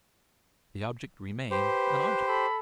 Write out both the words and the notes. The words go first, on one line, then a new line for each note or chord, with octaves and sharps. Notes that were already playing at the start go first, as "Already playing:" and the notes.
The object remained an object.
G4 B4 C5
A4 B5